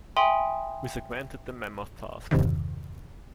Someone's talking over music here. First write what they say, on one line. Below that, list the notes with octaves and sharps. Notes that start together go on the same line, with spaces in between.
We segmented the mammoth task.
E5 G5 G#5 B5 C6 D#6
E2 G2 C3 D#3